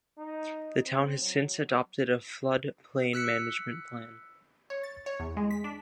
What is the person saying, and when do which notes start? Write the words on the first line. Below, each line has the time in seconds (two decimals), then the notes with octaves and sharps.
The town has since adopted a flood plain management plan.
0.17 D#4
0.86 C4
1.21 F#3
3.13 E6 F#6 B6 C#7
4.70 C#5
4.83 A6
5.06 C#5
5.20 E2
5.37 G#3
5.51 B6
5.64 D4